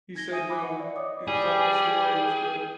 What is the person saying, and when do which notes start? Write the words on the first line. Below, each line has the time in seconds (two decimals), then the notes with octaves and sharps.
He said no, and he thought the story was good.
0.15 D#4 G#6 A#6 G7
0.31 E5 G#5 D#6 D#7
0.48 E4 G#5 B5 D6
0.62 F#5 C#7
0.80 D5 E5
0.96 C#5 D#5 D6 D#6
1.28 G3 G#4 G5